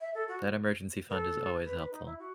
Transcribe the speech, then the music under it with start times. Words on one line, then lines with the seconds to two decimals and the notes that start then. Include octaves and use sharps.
that emergency fund is always helpful.
0.01 E5
0.14 A4
0.28 F#4
1.10 B4
1.13 A4
1.64 B4
1.78 B4
1.91 D#4
2.05 E4
2.19 F#4